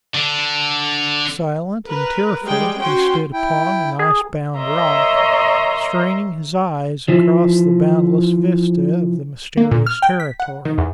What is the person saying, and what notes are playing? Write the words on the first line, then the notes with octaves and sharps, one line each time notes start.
Silent and tearful, he stood upon an ice-bound rock, straining his eyes across the boundless vista of the mysterious territory.
D3 D4
A#4 B4
G3 G#3 G#4 G5
C#4 F#4 G5 C6
E4 G5
G#4
A#4 C#5 D#5 E5 A#5 C6
E3 F3
A#3
A#2
F6
G5
B6
F#5
D#3
E2